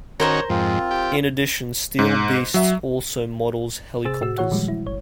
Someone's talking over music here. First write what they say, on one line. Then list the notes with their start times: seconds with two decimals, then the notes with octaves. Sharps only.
In addition Steel Beasts also models helicopters.
0.20 D#3 C#4 F#4 A#4 C5 C#5 A#5
0.50 F2 G#2 C4 F4
0.91 G4
1.99 G#2
2.54 F#3 E5
4.05 C3 G#4 C5 E6 A6
4.21 A2 F#4 E6
4.38 E3 F#4 C#5 F#5
4.51 A#2 D#3 F3 G3 G#3
4.68 E4
4.86 G1 C#5